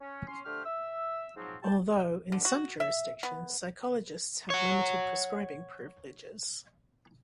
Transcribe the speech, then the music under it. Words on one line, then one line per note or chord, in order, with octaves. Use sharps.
Although, in some jurisdictions, psychologists have limited prescribing privileges.
C#4
C#4 C6
D3 A3 G4 C5 F6
E5 E6
G#2 F3 F#3 C4
G4 G5 A5
D3
F#4
E5
B3
C#5 F#5